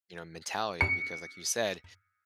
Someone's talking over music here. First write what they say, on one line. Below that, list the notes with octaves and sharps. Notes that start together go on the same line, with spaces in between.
you know, mentality because like you said,
C#7